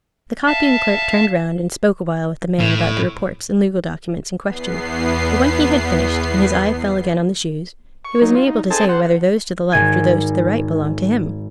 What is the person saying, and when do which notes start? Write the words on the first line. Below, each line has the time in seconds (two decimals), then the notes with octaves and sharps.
The copying-clerk turned round and spoke awhile with the man about the reports and legal documents in question; but when he had finished, and his eye fell again on the Shoes, he was unable to say whether those to the left or those to the right belonged to him.
0.46 E5 F5 A5
2.59 A2
4.44 E2 B3 C7
8.05 C#6
8.22 F#3 D#4
8.35 F4
8.47 D#4
8.70 C4 G#4 A4 D#5 A5
8.89 C5 F#5
9.72 G#1 G#5 G#6